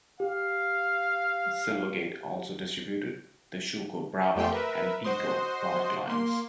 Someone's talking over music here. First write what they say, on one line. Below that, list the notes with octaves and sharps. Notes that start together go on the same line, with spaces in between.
Silvergate also distributed the Schuco, Brawa, and Piko product lines.
G4 F5
F2 A3 G4 G5 C6
A#4 B4 E5
F#4 C5 D#5 C6
A#3 C6